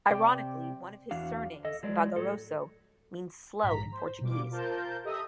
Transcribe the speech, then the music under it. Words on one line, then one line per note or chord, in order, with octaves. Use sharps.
Ironically, one of his surnames, "Vagaroso", means "slow" in Portuguese.
C3 D5 G5
E2 E3 D4 F#4 F5
A4 D#5
F#3 G#3 D5
A2 F#3 A4
A#1 G#2 A#5 B6
C5
B2 G3 F4 D6
F4 A#4 C5 A5 G6
G4 A4 D#5 E5 A#5 D#6